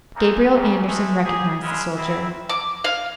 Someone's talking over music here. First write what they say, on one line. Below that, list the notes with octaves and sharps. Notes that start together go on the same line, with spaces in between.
Gabriel Andersen recognised the soldier.
C#3 E3 A#3 C4 D#4
A#2 C#3
G#3 A3
A#3 G4 G#4
A#1 G2 C#3 G#3 E4
F#2 G3 C4 E4
D6
F5